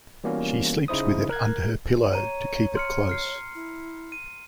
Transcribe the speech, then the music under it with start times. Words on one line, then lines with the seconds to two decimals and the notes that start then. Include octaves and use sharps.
She sleeps with it under her pillow to keep it close.
0.24 E3 G3 A#3 B3 C#4 F#4
0.88 C#3 D#4 E4 C5 D#6
1.30 A#4 F#6 G#6
2.13 C#5 A#5 D#7
2.75 C6 F6 C#7
3.09 F6 C7
3.55 E4
4.12 D#7